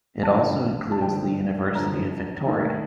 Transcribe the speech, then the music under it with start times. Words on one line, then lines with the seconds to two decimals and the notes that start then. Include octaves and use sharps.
It also includes the University of Victoria.
0.23 A5
0.29 G2 D3 F3 G5
0.92 A5
1.01 G2 D3 F3 G5
1.74 G2 D3 F3 A#5
2.47 D#3 A3 D#4